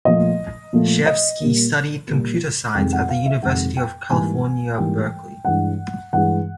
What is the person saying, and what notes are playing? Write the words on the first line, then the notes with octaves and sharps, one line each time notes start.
Chevsky studied Computer Science at the University of California Berkeley.
A#2 F3 A3 D#5
A#2 F3 A3
D#5
A#2 G3 A#3
A#2 G3 A#3
F2 C3 D#3 G#3 G5
F#5
F5
E5
F2 C3 D#3 G#3 F#5
G5
G#2 E3 G3 A#3 G#5
G#2 E3 G3 A#3 G5
G2 E3 G#3 F#5
G2 E3 G#3 F#5